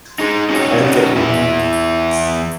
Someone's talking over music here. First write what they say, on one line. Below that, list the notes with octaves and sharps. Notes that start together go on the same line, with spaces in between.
I'll get you home.
D#4 G#4
C#4 D#4 F#4 C#5
E2 E4